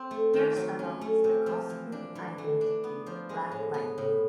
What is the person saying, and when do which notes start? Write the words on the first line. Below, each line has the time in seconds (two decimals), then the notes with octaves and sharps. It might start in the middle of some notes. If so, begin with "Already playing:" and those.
Pierce adopts the costumed identity "Black Lightning".
Already playing: C4
0.11 A3
0.33 D#3
0.56 F#3
0.79 C#4
1.01 A3
1.24 C3
1.46 F3
1.70 E3
1.92 D4
2.15 E3
2.38 A3
2.61 D4
2.84 B3
3.06 F3
3.29 G#3
3.52 A2
3.74 B3
3.98 A2